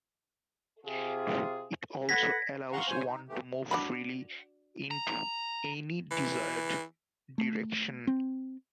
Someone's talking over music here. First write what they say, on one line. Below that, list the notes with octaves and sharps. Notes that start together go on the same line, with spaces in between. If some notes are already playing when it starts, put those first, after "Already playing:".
It also allows one to move freely into any desired direction.
C3 F4 G#4
A4 B4 F#5 G#6 A#6 B6
F5 F#5 A#5 C6 C#6
C5 C#5 G#5
D#4
E2 G#2 C#3 E3 A3 G4
D4 F#4 B5
A#5
E3
A3
C4